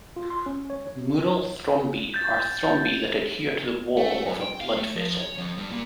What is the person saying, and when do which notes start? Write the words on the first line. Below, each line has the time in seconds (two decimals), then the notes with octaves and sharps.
Mural thrombi are thrombi that adhere to the wall of a blood vessel.
0.16 F4
0.30 C6
0.46 C#4
0.70 C#5
2.14 G6 A6
3.97 A3
4.14 A3
4.25 F#2
4.41 G5
4.61 F5
4.76 A3
4.96 F3
5.20 C#5
5.38 F2
5.58 G2
5.71 A#2